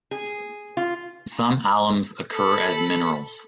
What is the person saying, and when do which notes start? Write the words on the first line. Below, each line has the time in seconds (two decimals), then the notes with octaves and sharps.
Some alums occur as minerals.
0.11 G#4
0.77 F4
2.33 A4 B5